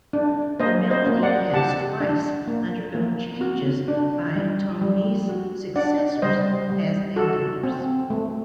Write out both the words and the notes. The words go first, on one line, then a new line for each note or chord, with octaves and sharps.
The melody has twice undergone changes by Tongmi's successors as band leaders.
D4
A#3 C5 D#5
C5 D#5
A#3
D5 F#5
G4 F#5 A5
D4
A#3
A#3
F#4
D4
G3
G3
F#4
D4 D5 F#5
G3 C5 D#5
G3
F#4 A4
C4
A3